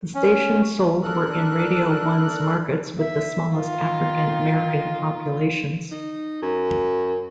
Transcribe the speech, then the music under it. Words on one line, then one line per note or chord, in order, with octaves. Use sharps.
The stations sold were in Radio One's markets with the smallest African American populations.
C#4
D4 A4 A#4 F#6
E5
D#3 F4
D#4
F#2